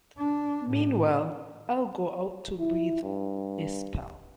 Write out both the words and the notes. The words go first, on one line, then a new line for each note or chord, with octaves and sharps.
Meanwhile I'll go out to breathe a spell.
D4
A2
E4
G2